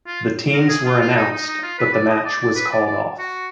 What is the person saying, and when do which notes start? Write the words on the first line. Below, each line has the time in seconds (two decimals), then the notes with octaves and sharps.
The teams were announced but the match was called off.
0.07 F4
0.54 A#4
0.69 G#4
0.85 F4
1.01 F4
1.16 D#4
1.31 D#4
1.47 D#4
1.63 F4
1.79 B4
1.93 D5
2.09 D#5
2.25 D5
2.41 D5
2.56 B4
2.72 D5
2.86 D5
3.19 F#4